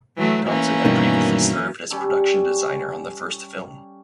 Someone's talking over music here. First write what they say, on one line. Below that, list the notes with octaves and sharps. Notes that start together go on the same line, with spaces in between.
Thompson had previously served as production designer on the first film.
E3 F#3 A3
E3 A#3 C#4
G2 B2 D#3
G3 C#4 G4 A4